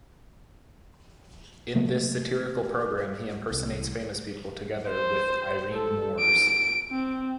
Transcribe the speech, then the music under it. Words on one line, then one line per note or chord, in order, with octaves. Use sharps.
In this satirical program, he impersonates famous people, together with Irene Moors.
C3 F#3 A3 A#3
C2
C5
A4
D7
C4